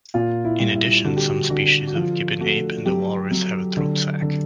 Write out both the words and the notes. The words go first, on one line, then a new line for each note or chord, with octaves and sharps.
In addition some species of gibbon ape and the walrus have a throat sac.
A#2 F4
E4
G3
E4
D3 F#4
G4
F#4
D3 F#4
F#4
F3 F4
A3 F#4
F#3 G4
F#3
D3
D3